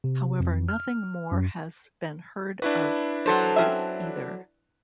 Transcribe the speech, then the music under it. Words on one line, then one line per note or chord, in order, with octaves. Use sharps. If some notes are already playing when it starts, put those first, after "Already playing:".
However, nothing more has been heard of this either.
C3
F2
F6
F#2
D4 E4 F#4 B4
F#3 A4 C5
C4 C#4 E5